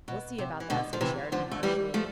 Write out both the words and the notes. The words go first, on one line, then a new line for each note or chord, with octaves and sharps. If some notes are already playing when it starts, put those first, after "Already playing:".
"We'll see about that!" said Sheridan, harshly.
B2
C3
E3
B2 D3
F3
C3 E3
D3 F3
A3
E3 G3
F3 A3